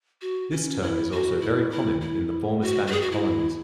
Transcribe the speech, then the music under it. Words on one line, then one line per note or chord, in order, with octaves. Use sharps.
This term is also very common in the former Spanish Colonies.
F#4
C#4
E4
F#4
E4
E4
E4
F#4
F#4
G#4
F#4
E4